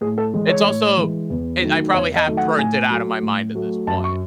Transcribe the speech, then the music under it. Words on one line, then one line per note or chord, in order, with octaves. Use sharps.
it's also it I probably have burnt it outta my mind at this point.
A2 G#4
A4
E3 G#3
C#5
A2
E3 G#3
E2
D#3 F#3 A3
E2 C#5
D#5
D#3 F#3 A3
F#5
A2 G#5
F#3 A3
A2
F#3 A3
F#2 A5
C#6